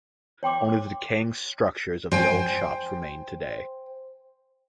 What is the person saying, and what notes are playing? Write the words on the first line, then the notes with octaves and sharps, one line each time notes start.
Only the decaying structures of the old shops remain today.
C#5 G5 C6 D6
C5 G5 G#5